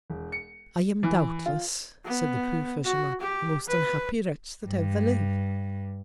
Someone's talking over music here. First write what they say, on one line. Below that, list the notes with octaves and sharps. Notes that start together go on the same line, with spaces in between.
I am, doubtless, said the poor Fisherman, the most unhappy Wretch that ever liv'd!
E1
C#7
E3
F4
B3
F#4
G4
B4
G2